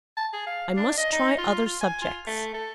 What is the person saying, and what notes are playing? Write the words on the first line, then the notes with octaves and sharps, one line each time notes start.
"I must try other subjects."
A5
G#4
F5
D4
D#5
D#4
F4
F4
G#5
F4
A3
A4